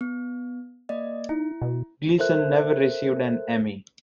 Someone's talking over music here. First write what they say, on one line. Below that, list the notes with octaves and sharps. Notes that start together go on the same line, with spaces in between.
Gleason never received an Emmy.
B3
A#3 D5 D#5
D#4 E4
B2
A4 A#4 C5 E5 F#6